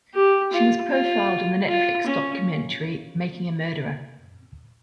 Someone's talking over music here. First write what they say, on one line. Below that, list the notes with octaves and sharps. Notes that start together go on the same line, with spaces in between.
She was profiled in the Netflix documentary "Making a Murderer".
G4
F4
F4
F4
C#4